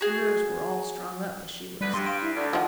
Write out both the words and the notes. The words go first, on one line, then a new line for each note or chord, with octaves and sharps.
Her nerves were "all strung up," as she would have said.
F#4 G#4
D2 G3 B4
G2 C6
F5 D7
E4
D2 D5
D#3 F3 F#5